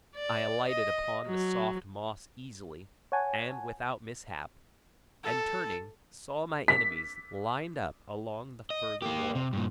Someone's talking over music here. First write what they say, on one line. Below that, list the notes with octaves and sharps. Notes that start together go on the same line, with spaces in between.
I alighted upon the soft moss easily and without mishap, and turning saw my enemies lined up along the further wall.
D5
D#5
F#3
C#5 F#5 G#5 A5
A4
B6
D#5
A#3 G4
C3
G2 A#2